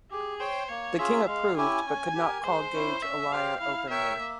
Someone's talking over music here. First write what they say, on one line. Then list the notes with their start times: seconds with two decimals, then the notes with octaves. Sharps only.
The king approved, but could not call Gage a liar openly.
0.11 G4 G#4
0.40 C5 C#5 G5
0.69 A#3 C#5
0.98 C#4 F4 G#4 E5
1.28 G#3 F5
1.57 C#4 E4 G4 G#5
1.86 C#4
2.15 G4 A#4
2.44 G#3 C5
2.73 C#4 E4
3.02 C#4 E5
3.32 G4 C5 F5 G5
3.60 E4 F5
3.90 A#4 C#5 E5 G5
4.19 A#3